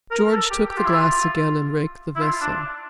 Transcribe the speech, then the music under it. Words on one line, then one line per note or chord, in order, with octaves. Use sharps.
George took the glass again and raked the vessel.
A#4
A4
G4
G4
F4
E4
F4
E4
F4
D4